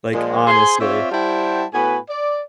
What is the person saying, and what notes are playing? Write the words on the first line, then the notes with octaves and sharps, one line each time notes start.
Like, honestly.
A#2 F3 G#3
G#4 C5 G#5 C6
C4 F4 C#5 D5 E5
G3 E4 C5 F#5 G5 A5
A2 B3 F#4 B4 G#5
D5